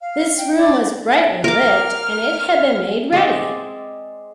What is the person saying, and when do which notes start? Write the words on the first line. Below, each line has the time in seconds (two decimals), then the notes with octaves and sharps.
This room was brightly lit; and it had been made ready.
0.01 F5
0.38 G5
0.57 D5
1.44 A#4 D6 F6
3.12 G#3 C4 D5 E5